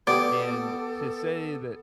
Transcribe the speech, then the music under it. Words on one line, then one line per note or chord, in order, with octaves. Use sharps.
and to say that
B3 G4 A4 D5